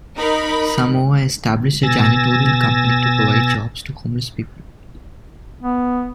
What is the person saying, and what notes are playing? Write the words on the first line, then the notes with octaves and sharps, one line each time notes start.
Samoa established a janitorial company to provide jobs to homeless people.
D#4 A#4 B5
B2 G#5 E6 A6 A#6
B3